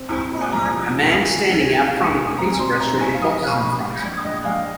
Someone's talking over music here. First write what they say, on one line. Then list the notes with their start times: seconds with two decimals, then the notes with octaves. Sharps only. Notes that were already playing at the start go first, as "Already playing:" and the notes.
A man standing out front of a pizza restaurant with boxes in front.
Already playing: C4
0.11 C4
0.32 A#2
0.41 G#5
0.53 C2 A#5
0.73 F3
0.94 F3
1.14 D#3
1.35 D#3
1.56 D#3
1.76 D#2 G#5
1.87 F5
1.97 G#3 G#5
2.18 D#2
2.38 C4 A#5
2.59 C4 C6
2.80 C4 A#5
3.00 C4 G#5
3.14 F5
3.21 F2
3.28 D#5
3.42 C4 F5
3.63 A#1
3.83 A#1
4.03 A#1
4.25 A#1 D#5
4.45 A#1 F5